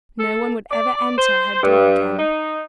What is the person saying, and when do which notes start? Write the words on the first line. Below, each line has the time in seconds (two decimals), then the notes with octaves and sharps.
No one would ever enter her door again.
0.19 A4
0.71 D5
1.18 C5
1.62 G2
2.19 D#4